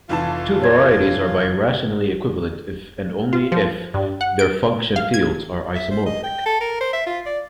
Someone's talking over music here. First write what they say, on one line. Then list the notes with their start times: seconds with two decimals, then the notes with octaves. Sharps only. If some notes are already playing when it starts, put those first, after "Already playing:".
Two varieties are birationally equivalent if and only if their function fields are isomorphic.
0.09 F1 E3 F4 A5
0.62 C#5 G#6
3.33 F4
3.52 F3
3.94 G2
4.21 F#5
4.39 D7
4.96 F5
5.14 G#6
5.75 E5
5.91 C5
6.06 D#5
6.24 G5
6.46 A4
6.61 A#4
6.81 C5
6.93 E5
7.07 F4
7.26 D5